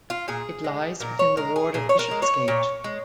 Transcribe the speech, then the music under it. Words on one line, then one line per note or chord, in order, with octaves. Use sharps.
It lies within the ward of Bishopsgate.
F4
A#2 G#4
G#3
A#2 A#4
C#5
G#3 A#4
G#4
A#2 G#4
C#5
A#4
G#3
C#5
A#2
G#3